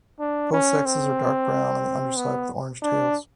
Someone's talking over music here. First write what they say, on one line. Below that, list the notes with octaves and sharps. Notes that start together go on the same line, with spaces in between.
Both sexes are dark brown on the upperside with orange tails.
D4
C#4
C4
B3
D4